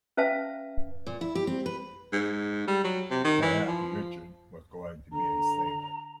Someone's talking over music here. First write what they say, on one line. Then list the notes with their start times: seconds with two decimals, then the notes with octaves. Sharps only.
Perhaps Richard was going to be a sailor.
0.17 C#4 B4 E5 F5 A5
1.07 A#2
1.21 E4
1.35 G4
1.47 C4
1.66 B4
2.12 G#2
2.68 G3
2.84 F#3
3.11 C3
3.24 D#3
3.42 E3
3.68 F3
5.12 D3 A#5